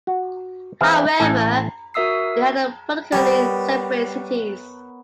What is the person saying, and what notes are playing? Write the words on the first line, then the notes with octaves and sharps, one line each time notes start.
However, they are politically separate cities.
F#4
E3 C4 E4 G#4 F5 G5
A1 A2 A4 G#5
F#4 A#4 E5 D#6 E6 C7
G3 B3 A#4 C#5